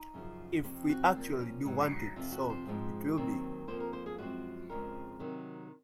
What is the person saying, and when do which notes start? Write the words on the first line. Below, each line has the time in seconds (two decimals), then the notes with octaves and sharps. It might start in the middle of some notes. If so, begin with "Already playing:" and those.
If we actually do want it solved, it will be.
Already playing: D#4
0.14 F#2 C#3 F3
0.64 F2 C3 F3 C4
0.89 F#4
1.15 A#2 F3 C4
1.40 C#4
1.65 G#2 F#3 C4 D#4
1.90 D#4
2.16 F2 C3 F3 F4
2.32 F#4
2.50 C5
2.67 G#2 F3 G#3 C4
3.17 D#2 D#3 F#3 C4
3.67 F2 C#3 F3 A#3 C5
3.80 A#4
3.93 C5
4.06 G#4
4.18 F#2 F3 G#3 C4 F#4
4.69 F2 C#3 F3 G#3 C4 A#4
5.19 C3 D#3 F#3